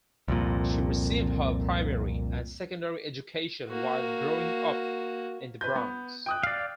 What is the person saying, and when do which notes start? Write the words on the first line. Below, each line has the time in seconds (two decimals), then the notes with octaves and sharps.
She received her primary and secondary education while growing up in the Bronx.
0.28 C2 F2 A#2
3.69 A#3 F#4
5.61 B4 B5 G6
5.76 B3
6.26 G5 D#6 F#6
6.43 D5 F5